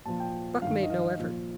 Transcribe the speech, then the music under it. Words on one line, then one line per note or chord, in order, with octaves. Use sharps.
Buck made no effort.
A#2 F3 A5
G5
G2 D#3 F5
D#5
F5
A#2 F3